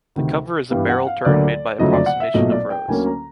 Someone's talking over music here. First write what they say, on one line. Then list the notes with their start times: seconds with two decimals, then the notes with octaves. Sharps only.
The cover is a barrel turn made by approximation of rows.
0.16 D2 C3 D#3
0.71 G2 E3 G3 B3 F5
0.89 F#5
1.07 F5
1.25 D2 D3 F#3 A#3 D5
1.79 F#1 F2 D3 F#3 A3 D#5
1.93 D5
2.06 F#5
2.20 E5
2.34 B1 A#2 F#3 A3 D#5
2.52 D5
2.70 G5
2.88 D2 D3 F#3 A#3 C#4 G#5
3.06 A#5